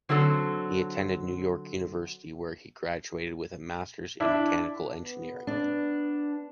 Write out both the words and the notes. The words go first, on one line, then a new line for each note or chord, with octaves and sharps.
He attended Ney York university where he graduated with a Master in mechanical engineering.
D3 F#3 C4 A4
D4 E4
B3
D4